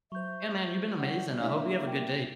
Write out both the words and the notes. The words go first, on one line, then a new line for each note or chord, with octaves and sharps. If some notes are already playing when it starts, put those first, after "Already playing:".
Yeah, man, you've been amazing, I hope you have a good day.
F#3 C5 E5 C#6 G6
A2 E3 G3 F#5
G3 A3 A#3 D4 E4 C#5 E5
G5